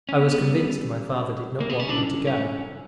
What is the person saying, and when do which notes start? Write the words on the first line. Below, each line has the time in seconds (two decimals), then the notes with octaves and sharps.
I was convinced my father did not want me to go.
0.09 C#4
0.19 B3
0.38 F#2 D3 G3
1.60 A#3
1.70 B3
1.80 C#4
1.89 G1 F#2 C#3 E3 D4
2.27 C#4